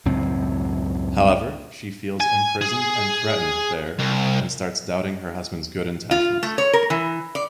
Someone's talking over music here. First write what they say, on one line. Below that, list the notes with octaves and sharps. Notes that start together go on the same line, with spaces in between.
However, she feels imprisoned and threatened there and starts doubting her husband's good intentions.
C#2 F#2 A2 C4
G#5
G#4
C2
F4
A3
C#5
A#4
E3
D5